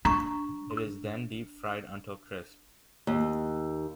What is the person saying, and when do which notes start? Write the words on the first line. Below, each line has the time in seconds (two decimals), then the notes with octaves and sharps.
It is then deep fried until crisp.
0.05 D4 A#5 C#6
3.07 D#2